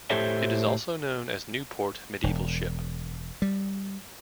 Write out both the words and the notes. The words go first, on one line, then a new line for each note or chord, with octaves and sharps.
It is also known as Newport Medieval Ship.
A2 G4 A4 C5 C#5 E5
E1
G3